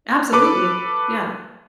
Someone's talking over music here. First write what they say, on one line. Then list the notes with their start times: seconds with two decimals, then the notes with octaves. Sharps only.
Absolutely. Yeah.
0.32 A4 B4 D6